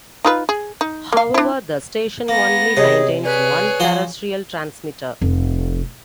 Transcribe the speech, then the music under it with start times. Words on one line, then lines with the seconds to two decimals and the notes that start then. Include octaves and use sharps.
However, the station only maintains one terrestrial transmitter.
0.25 D#4 F4 B4
0.49 G#4
0.81 D#4
1.13 A#3 F5
1.34 D4 E4
2.28 A#3 B3 A#6
2.77 C3 G#4 C#5 D#5
3.25 G#4 B4 C#5 D5
3.80 F3 F#4 C6
5.21 F1